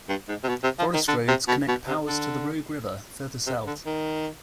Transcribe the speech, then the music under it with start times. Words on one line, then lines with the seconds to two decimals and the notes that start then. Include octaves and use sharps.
Forest roads connect Powers to the Rogue River, further south.
0.09 G2
0.29 G#2
0.43 C3
0.49 B2
0.64 C3
0.79 F3
0.94 D#3
1.08 D3
1.28 C3
1.48 B2
1.68 B2
1.88 C3
2.07 D3
3.47 C3
3.67 D3
3.86 D#3